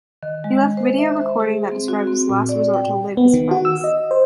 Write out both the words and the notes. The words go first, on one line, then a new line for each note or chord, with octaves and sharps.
He left video recording that describes his last resort to live his friends.
D#3
G#3
C5
E5
C5
G#4
C4
F#4
C4
A#2
D5
G5
B3
D#3
F#4
E6
D#5
C5